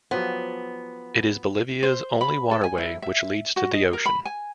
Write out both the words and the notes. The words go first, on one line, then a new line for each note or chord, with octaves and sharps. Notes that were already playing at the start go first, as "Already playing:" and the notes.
It is Bolivia's only waterway which leads to the ocean.
F3 F#3 B3 G4
C5
B5
A4
G#5
E4
E5
F#4
D#5
A#4
B5
G#5